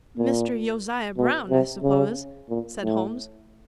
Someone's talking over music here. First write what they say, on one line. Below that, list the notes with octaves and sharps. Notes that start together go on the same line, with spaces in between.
"Mr. Josiah Brown, I suppose?" said Holmes.
A#2
B2
C3
C#3
A#2
A2